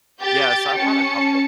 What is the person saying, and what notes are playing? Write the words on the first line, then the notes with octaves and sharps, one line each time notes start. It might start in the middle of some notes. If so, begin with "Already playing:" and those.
Yeah, so I've had a couple.
G4 G6 A6
C#4 A5 C#7